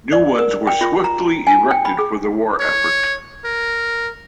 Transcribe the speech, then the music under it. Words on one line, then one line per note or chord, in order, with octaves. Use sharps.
New ones were swiftly erected for the war effort.
D5
A#4
G5
F4
A#5
G#5
G5
B5
G#4
C#5
A#4